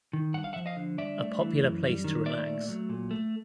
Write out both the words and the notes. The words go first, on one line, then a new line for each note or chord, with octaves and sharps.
A popular place to relax.
D#3
G2 F#5
F5
F3 E5 F#5
D#5 F5
D3
G2 D5 E5
A3
E3
F#2
G3
D#3
A#2 D5 E5
A3
F#3
A#2
A3